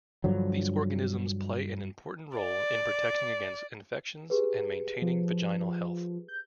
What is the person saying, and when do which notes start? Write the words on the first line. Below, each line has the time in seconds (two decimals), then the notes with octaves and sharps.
These organisms play an important role in protecting against infections and maintaining vaginal health.
0.24 G2 D3 F3 F#3
2.38 D5
4.30 G4 G#4 B4
5.02 F3
6.28 G6